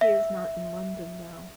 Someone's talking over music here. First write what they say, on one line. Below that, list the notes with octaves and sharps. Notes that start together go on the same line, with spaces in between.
He is not in London now.
E5